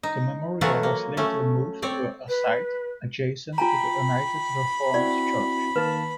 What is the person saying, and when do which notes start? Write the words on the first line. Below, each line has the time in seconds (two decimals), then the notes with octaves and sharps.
The memorial was later moved to a site adjacent to the United Reformed Church.
0.03 D#4
0.61 E3 F#3 A3 F4 C#5 F#5
0.83 A#3
1.17 A3 C#4
1.82 C4 C#5 D5
2.28 B4
3.58 F4 G5 G#5 A#5 B5
4.94 C4 E4 F#4 D5
5.76 D#3 A#3 B4 A5